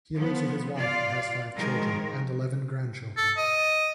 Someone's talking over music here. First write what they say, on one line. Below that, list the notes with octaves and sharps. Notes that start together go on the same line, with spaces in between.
He lives with his wife and has five children and eleven grandchildren.
F3 B3
F4 D5 F5
D#3 F3 G#3 A#4
A4
D#5